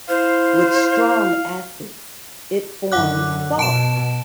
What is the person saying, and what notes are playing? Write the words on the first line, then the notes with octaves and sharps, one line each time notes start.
With strong acids, it forms salts.
E4 C5 F5
F#2 D3 F#5 D6 F#6
B2 A5 D7 E7